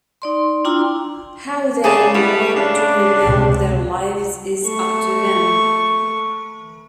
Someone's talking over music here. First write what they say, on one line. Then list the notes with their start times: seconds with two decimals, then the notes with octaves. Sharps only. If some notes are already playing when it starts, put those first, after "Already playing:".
How they want to rebuild their lives is up to them.
0.22 D#4 D5 C6
0.65 D4 E4 F4 G5 A#5 C6
1.84 C#3 F#3 G#4 D5 A5
2.14 G3 B3 E4
2.56 C#3 D4
3.23 C#2 C3
4.65 A3 C#6